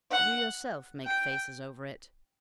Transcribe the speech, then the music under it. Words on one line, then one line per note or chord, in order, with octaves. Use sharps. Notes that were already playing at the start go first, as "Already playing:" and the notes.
You yourself make faces over it.
F#5
G5